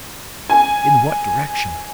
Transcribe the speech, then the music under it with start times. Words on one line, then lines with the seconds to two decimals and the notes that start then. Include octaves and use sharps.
"In what direction?"
0.50 G#5